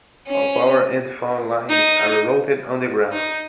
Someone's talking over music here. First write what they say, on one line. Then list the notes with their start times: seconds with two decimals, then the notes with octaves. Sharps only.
All power and phone lines are routed underground.
0.28 C#4
1.69 D#4
3.12 D#4